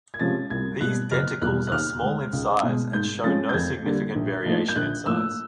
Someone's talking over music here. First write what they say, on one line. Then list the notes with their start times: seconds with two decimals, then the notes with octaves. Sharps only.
These denticles are small in size and show no significant variation in size.
0.14 G#6
0.19 C3 F3 G#3 C#4 A6
0.50 C2 G#6
0.81 B2 G3 F#6
1.11 F#1 F6
1.42 E2 B2 G3 F#6
1.67 F#6
1.72 D#2 F6
2.02 D#3 G#3
2.33 C#2
2.63 B2 G#3
2.93 G#2 G6
3.24 F3 G#3 C#4 A6
3.49 G6
3.54 F2 G#6
3.84 D3 G3 A#3
4.15 A#1
4.45 A2 F3 A#3 D#4
4.68 G6
4.76 A#1 F#6
5.06 A2 F3 A#3 E6